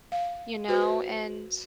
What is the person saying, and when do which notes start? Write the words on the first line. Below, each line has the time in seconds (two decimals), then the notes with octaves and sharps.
you know, and
0.12 F5
0.68 F#4 B4 C5